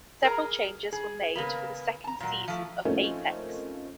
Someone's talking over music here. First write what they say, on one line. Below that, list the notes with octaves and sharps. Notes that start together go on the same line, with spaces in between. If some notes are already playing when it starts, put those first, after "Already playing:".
Several changes were made for the second season of Apex.
G#4 A#4 A#5
G#4
C#3 A#3 B3
A5 A#5
A#2 F#3
F3 A3
F3 A3 A#3 C4 C#4 D#4